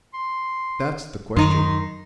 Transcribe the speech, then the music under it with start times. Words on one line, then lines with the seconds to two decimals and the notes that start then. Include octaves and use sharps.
That's the question.'
0.14 C6
1.36 F#2 D#3 D#4 C6